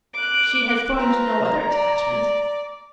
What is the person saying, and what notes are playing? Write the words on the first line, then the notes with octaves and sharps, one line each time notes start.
'She has formed no other attachment?'
D6 F#6
C4 F4 B4 A#5
D5